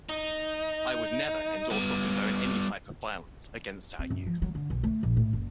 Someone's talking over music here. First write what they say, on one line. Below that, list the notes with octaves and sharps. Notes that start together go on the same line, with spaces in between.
I would never endorse or condone any type of violence against our youth.
D#4
G3 B3
C4
F#2
F3
F#3
D3
B1
A3
A#1
A2
F#1